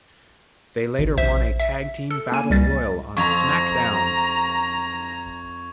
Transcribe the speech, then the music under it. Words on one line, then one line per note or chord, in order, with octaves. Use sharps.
They later won a tag-team battle royal on SmackDown!
G#1
A#1 C5 E5
E5
A4
A#3 G#5
C#2 G3 A6
F2 A#5 C#6 G#6 F7